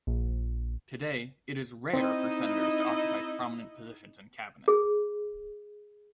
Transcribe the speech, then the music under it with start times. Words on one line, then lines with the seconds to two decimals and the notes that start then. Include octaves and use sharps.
Today, it is rare for senators to occupy prominent positions in cabinet.
0.07 A#1
1.93 C4 D#4 E4 D#5
4.68 G#4